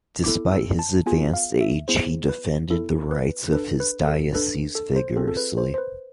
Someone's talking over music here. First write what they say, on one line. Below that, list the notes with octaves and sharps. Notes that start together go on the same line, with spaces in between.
Despite his advanced age, he defended the rights of his diocese vigorously.
B3 E4 A4 D6
E6
A5
B3 F4 G#4 G#5
F5
E5
B3 E4 G#4 C5
B4
B3 E4 A4
B4
D4 A4 B4
B4
A4
D4 A4 B4
A4
C5
C4 F4 G#4 A4
A4
B4
C5
C5
B4